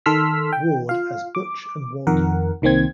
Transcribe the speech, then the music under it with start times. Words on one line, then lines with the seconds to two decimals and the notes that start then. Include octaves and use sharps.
Ward as Butch and Waldo.
0.06 D#3 A4 C6 E6 F6 B6
0.53 G5
0.89 F4 F5
1.35 D6
2.07 F2 D#3 A#4 F#5
2.62 C2 D#3 A#3 C4 G#6